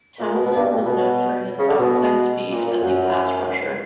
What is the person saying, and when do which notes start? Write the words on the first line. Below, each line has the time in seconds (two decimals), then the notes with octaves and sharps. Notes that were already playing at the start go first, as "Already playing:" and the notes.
Townsend was known for his outside speed as a pass rusher.
0.19 A#2
0.35 B2
0.45 B2
0.55 G2
0.65 G2
0.76 A#2
0.85 B2
1.58 C#3
1.69 D3
1.79 B2
2.51 A#2
2.66 A#2
2.82 F#2